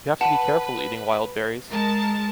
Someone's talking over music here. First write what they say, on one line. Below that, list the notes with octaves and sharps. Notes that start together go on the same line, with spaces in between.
You have to be careful eating wild berries.
B4 F#5 A5
G#3 A#4 A5